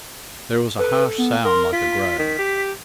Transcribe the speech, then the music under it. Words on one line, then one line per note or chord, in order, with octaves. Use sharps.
There was a harsh sound like a groan.
A4 B4
B3
A#4 C6
F4 B6
D#3
G4